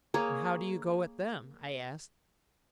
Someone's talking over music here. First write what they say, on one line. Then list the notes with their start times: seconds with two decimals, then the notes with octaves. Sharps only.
"And how do you go at them?" I asked.
0.14 A#3 G#4 C#5